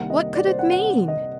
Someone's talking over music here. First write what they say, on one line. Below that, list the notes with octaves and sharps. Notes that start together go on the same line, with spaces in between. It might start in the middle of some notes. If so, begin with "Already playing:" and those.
What could it mean?
Already playing: C2 C3 D#3 G3 A#3 F#5
D#5
D5
C5
F#5
F#5
F#5
D#5